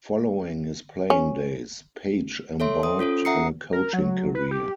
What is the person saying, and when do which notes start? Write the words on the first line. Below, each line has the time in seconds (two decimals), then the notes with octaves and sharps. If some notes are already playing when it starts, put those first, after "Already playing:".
Following his playing days, Page embarked on a coaching career.
1.10 C#4
2.60 A4 C#5 E5 C6
2.83 D#6
2.99 C#4 F4 A4 C5
3.25 E5 F#5 A#5 D#6 C7 C#7
3.72 A#4
3.93 F#3
4.35 B4
4.51 G4